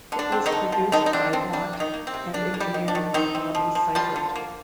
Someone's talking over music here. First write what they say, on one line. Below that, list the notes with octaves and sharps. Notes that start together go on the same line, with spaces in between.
It was produced by Watt and engineered by Bobby Seifert.
D3
D4
C4
D#3 D#4
D3
F3
D3 D#3 D#4
D#4
C4 D4
D3 C4
G3 D4
C3
D#3 D#4
A#3
C4
C3
A#3 D4
A#3
G3 G4
D#3
D4
D#3
D#3 C4 D#4
C4
F3
F3
F3 G3 F4
D3
A#3